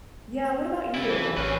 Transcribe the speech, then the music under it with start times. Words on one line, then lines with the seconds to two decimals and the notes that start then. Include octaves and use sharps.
Yeah, what about you?
0.95 G3 E4
1.10 E3 F3
1.24 G2
1.38 A1 C4 C#4 B4